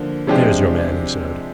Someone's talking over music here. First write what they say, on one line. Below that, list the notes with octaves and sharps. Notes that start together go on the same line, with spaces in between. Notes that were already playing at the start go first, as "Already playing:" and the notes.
'There's your man,' he said.
Already playing: D3 F3 A#3
C3 F3 G#3 D4 G4